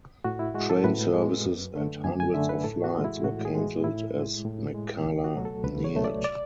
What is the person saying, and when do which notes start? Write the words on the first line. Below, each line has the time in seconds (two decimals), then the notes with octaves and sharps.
Train services and hundreds of flights were cancelled as Mekkhala neared.
0.24 A2 F#4
0.39 E4
0.54 G#3 F#4
0.70 A4
0.84 A2 B4
1.14 G#3
1.45 F#2
1.75 D3 A3
2.04 F#2 G#5
2.20 G#5
2.34 D3 A3 E5
2.49 B4
2.64 A2 A4
2.84 F#4
2.94 E3 G#3
3.04 E4
3.24 A2 F#4
3.45 G#4
3.55 E3 G#3
3.84 A2 E4
4.14 G#3
4.45 A2
4.75 G#3
5.04 C#2
5.24 F#4
5.35 B2 F#3 A3
5.45 A4
5.64 C#2 B4
5.84 C#5
5.95 B2 F#3 A3
6.04 D5
6.24 D5